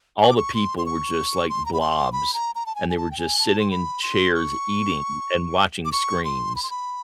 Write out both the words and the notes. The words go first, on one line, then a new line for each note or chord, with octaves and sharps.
all the people were just, like, blobs, and they were just sitting in chairs, eating and watching screens,
C#6
D6
C#6
C6
C6
C#6
C6
A#5
B5
C6
B5
A#5
A#5
A5
G#5
G#5
A5
G5
G#5
A5
C6
B5
C6
C#6
D6
C#6
C6
B5
C6
B5